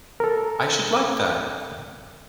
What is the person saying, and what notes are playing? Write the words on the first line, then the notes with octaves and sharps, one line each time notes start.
I should like that!
A4 A#4